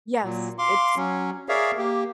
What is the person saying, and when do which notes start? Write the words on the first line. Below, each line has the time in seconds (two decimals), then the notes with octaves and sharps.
Yes, it's
0.23 A#2 F#3
0.58 F5 C6 D6
0.96 F#3 C#4
1.49 G#4 A#4 C#5 D5 E5 F5
1.78 A#3 G4